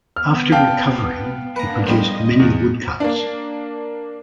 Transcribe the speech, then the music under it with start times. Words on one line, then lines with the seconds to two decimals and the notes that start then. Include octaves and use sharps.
After recovering, he produced many woodcuts.
0.16 B3 F6
0.52 D5 F5 G5 A5
1.56 A#3 B3 D4 B4 A#5
1.86 F3 G3 G#3 D#5
2.40 E2
3.00 A#3 D4